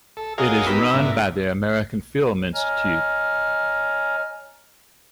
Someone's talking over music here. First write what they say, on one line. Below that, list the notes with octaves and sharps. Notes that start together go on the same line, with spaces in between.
It is run by the American Film Institute.
A4
F#4 G#4 A#4 C#5 D#5 F5
B3 D#4 G4 A#4 B5 E6
B5
G#2 B2 D4 A#4 E5
C#5 D#5 G#5 A#5 F6